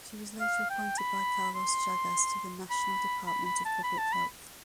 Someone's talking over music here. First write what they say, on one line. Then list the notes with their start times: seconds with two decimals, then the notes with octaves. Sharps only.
She was later appointed by Carlos Chagas to the National Department of Public Health.
0.40 F5
0.70 G5
0.98 B5
1.55 C6
2.70 B5
3.27 B5
3.45 B5
3.65 A5
3.83 B5
3.98 A5
4.12 B5